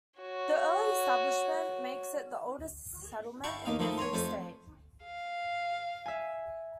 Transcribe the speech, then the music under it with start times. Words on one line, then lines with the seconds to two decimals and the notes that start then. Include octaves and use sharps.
The early establishment makes it the oldest settlement in the Free State.
0.20 F#4 C#5
3.44 E4 F5 G5 A5 C#6
3.65 D#2 A#3 D#4 F5
3.79 D#3 F3 A3 D#4 E4
3.98 C#5 G#5 A#5 C6
4.13 F2 A3 C5 G#5 A5
5.03 F5
6.06 E5 G#5